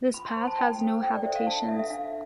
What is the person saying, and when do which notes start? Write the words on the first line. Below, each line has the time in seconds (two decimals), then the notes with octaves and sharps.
This path has no habitations.
0.14 F4 B5
0.25 C6
0.36 C5 B5
0.47 A5
0.58 E4 G5
0.80 A4 C5
1.02 E4 G5
1.14 D5
1.25 A4 C5 E5
1.36 F5
1.46 D4 A5
1.69 F4 A4 E5
1.79 E5
1.90 D4 F5